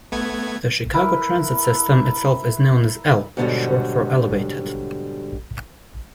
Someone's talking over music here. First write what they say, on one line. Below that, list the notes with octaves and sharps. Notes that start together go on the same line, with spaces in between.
The Chicago transit system itself is known as "L", short for "elevated".
A3 B3 G#6
E4 A#4 B4
G#2 B2 D3 D#3 F#3 G3